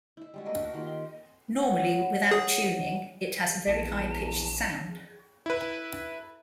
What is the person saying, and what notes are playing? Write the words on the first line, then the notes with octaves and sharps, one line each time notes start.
Normally, without tuning, it has a very high pitched sound.
E4 E5
G3 G#3 F#4
A3 A#3 B4 D#5
A3 F#4 A#4
D#3 A#3 F4 G4
C6
C#5 F#5
G#4
A#1 E2 A5
E4 B4